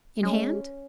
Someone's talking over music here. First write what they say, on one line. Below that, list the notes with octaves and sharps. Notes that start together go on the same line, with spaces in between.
"In hand?"
G#3 C#4